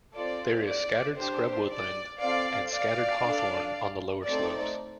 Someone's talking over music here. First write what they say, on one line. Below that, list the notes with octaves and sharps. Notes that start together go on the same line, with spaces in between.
There is scattered scrub woodland and scattered hawthorn on the lower slopes.
C4 F4 A4 D5
D5
D4 G4 C5
D5
C4 F4 A4 D5 F5
D5 F5
D4 A4
A3 C4 D#4 A4 D5